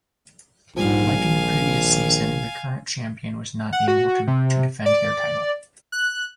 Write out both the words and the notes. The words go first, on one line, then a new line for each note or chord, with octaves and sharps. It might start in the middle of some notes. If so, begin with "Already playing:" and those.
Like in the previous season, the current champion was not able to defend their title.
A#1 G#2 F3 G3 F5 G#5
D#3
F#5
F#4
C3
D5
F#6